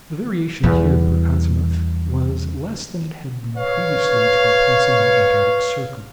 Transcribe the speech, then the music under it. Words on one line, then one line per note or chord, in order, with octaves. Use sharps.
The variation here, per azimuth, was less than it had been previously to our passing the Antarctic circle.
E2 G3
B4 C#5 F5